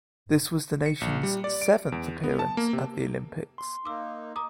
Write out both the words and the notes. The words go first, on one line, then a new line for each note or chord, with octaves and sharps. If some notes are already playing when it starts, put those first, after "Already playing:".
This was the nation's seventh appearance at the Olympics.
C#7
A#1
G3
D5
D7
E2
B3
A5
A#3
C3
C6
A#3 D#4 D6 E6
A#5 D6 D#6